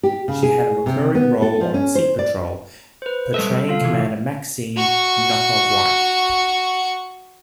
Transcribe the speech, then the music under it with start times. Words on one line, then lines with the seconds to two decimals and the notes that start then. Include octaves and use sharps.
She had a recurring role on "Sea Patrol" portraying Commander Maxine "Knocker" White.
0.03 G4
0.28 C#3
0.43 G#4
0.86 C3
1.15 B3
1.42 A4
1.61 F3
1.74 C#4
1.95 C5
2.19 D5
3.02 B4 C5
3.34 G3 A4 D#5 E5
3.51 G3
3.69 F4 A4 F5
3.81 C3 E3
4.76 F#4 C#6